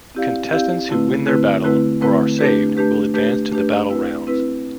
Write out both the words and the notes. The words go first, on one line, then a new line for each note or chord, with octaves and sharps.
Contestants who win their battle or are saved will advance to the Battle rounds.
C4 E4 G4 D5 F5
C4 E4 G4 D5 F5
D3 A3 C4 E4 B4
D3 A3 C4 E4 B4
D3 A3 C4 E4 B4
D3 A3 C4 E4 B4
A3 D4 G4 B4
A3 D4 G4 B4
A3 D4 G4 B4
A3 D4 G4 B4
C4 E4 B4
C4 E4 B4